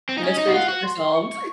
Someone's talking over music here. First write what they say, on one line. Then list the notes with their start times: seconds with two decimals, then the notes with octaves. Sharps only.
Mysteries resolved.
0.09 C4
0.18 D#4
0.23 C#4 D#5
0.38 D#4
0.47 F#4
0.54 F4 F#5
0.69 F#4
0.84 C6
1.14 C#6